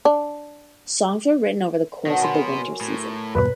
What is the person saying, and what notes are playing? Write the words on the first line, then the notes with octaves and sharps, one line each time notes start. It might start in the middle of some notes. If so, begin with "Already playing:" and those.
Songs were written over the course of the winter season.
D4
B2 D#3 F#3 A5
B2 B3 A#4 G#5 C6
A2
E2 G2 B2 B4